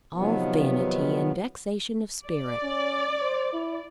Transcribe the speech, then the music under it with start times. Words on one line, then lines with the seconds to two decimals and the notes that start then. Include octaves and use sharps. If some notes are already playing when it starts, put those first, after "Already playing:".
"All vanity; and vexation of spirit!"
0.14 C3 D#3 F3 F#3 B3
2.27 D5
2.63 C#4
3.22 C5
3.53 E4